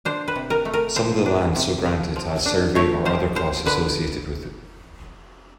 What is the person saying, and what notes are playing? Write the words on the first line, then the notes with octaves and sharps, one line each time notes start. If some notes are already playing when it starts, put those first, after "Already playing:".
Some of the land so granted had survey or other costs associated with it.
D4 C5
B4
C3
A#4
A3
A#4
F3 C5
D4
C3
F3
F3
D4
A3 C#5
F3 C5
F3 C5
D3 B4